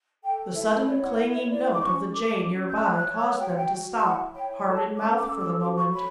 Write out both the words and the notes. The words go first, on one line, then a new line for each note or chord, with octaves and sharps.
The sudden clanging note of the jay near by caused them to stop, heart in mouth for the moment.
A4 G5
E4 E5
C#5 D5
F#5
E4 F#5
E5
E4 D5
D6
C#4 C#6
A4 D6
C#4
G6
C#5 F#6
F#6
C#5
E6
F#4 G5
F#5
G5
F#4
E4 F#5
C#5 G5
A4 A5
C#4 D6
D6
A4 E6
D6
E6
F#4 D6
C#6
C#5 B5